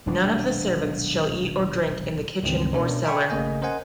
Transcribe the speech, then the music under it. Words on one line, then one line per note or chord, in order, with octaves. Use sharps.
None of the servants shall eat or drink in the kitchen or cellar.
D#1 B1 G#3 D4
C#2 G2 D#3 E3 C4
B2 C#4 D4 F#4 A#4
E5 G5 G#5 B5 C#6
G#1 C#3 A3 A#3 D#5 G#5
C#4 A#4 C5 D#5 F#5 G#5